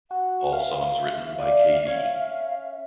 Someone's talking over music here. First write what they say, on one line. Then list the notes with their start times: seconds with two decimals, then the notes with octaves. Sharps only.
All songs written by k.d.
0.11 F#4 F#5
0.53 E5 F5
1.38 D5
1.87 C#4